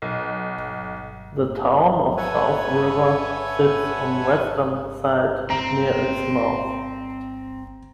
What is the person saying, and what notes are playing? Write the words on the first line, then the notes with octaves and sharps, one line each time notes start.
The town of South River sits on western side near its mouth.
B1
A4 B4 C#5 E5 F#5 G#5
C4 A#5